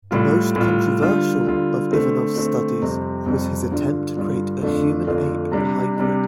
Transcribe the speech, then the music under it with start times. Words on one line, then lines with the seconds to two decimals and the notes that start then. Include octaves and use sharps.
The most controversial of Ivanov's studies was his attempt to create a human-ape hybrid.
0.11 A2 G3 F4
0.56 A2 G3 F4
1.01 D3 G3 F4
1.46 D3 G3 F4
1.91 D3 A3 C4
2.36 D3 A3 C4
2.82 F2 C3 G3 C4
3.26 F2 C3 G3 C4
3.71 G2 D3 G3 D4 F4
4.16 G2 D3 G3 D4 F4
4.62 F2 D3 A3 D4 F4
5.07 F2 D3 A3 D4 F4
5.52 C3 G3 D4
5.97 C3 G3 D4